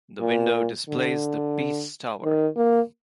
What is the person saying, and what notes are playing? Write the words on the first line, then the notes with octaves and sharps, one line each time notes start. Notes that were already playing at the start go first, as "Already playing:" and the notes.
The window displays the Peace Tower.
A#2
D3
D#3
A#3